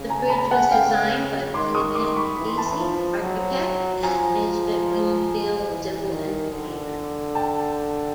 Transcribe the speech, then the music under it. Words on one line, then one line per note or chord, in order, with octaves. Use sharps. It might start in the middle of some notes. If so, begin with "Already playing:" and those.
The bridge was designed by William Henry Deacy, architect and Nisbet Wingfield, civil engineer.
Already playing: C#3
G#5 A#5
A5 B5
F#5 G#5
C#3 F5 G5
D#3 C6 D6
C#6 D#6
C6 D6
D6
B5 C#6
E3 B5
C6
A5 B5
F3
F#3
F3 G#5 A#5
E3
D#3
D3
G5 A5